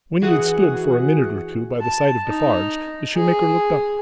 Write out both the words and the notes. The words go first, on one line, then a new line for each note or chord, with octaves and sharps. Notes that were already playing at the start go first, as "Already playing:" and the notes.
When he had stood, for a minute or two, by the side of Defarge, the shoemaker looked up.
E3 F#4 G#4 F#5
A5
D#4
G#4